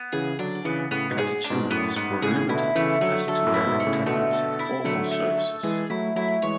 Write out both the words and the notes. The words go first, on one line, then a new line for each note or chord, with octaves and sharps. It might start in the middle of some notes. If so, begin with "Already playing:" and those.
Catechumens were limited as to their attendance in formal services.
Already playing: B3
C#3 E3 G#4
D3 F#3 D4
C#3 E3 B3
A2 C#3 B3
G#2 B2
G#4
D4
G#2 B2
F#2 A2 B3
G#2 B3
A2 C#3 G#4
B2 D3 E4
C#3 E3 A3
D3 F#3 A3
D3 F#3 A4
F#2 A2
E4
G#2 B2
A3
A2 C#3
B2 D3 A3
A4
E4
D3 F#3 A3
A3
A4
E3 G#3 G#4
F#3 A3 E4
F#3 A3 E4
E3 G#3 C#5